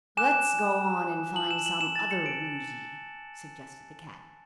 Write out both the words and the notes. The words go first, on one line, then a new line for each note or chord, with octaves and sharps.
"Let's go on and find some other Woozy," suggested the cat.
G#5 D6 F#6 E7
A5 E6 F#7
E7
F#7
E7
A6
C#7
D7